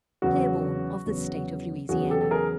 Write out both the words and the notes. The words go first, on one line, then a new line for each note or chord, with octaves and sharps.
Claiborne of the state of Louisiana.
E2 C#3 F#3 B3 F#4
E2 C#3 F#3 B3
E2 C#3 F#3 B3 F#4 G#4
G4 A4
A4
G#4 A#4